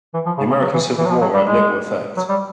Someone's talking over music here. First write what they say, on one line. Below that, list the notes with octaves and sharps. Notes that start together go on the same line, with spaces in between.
The American Civil War had little effect.
E3
F3
C#3
C#3
F#3
E3
E3
F#3
F3
F#3
G3
G#3
F#3
G3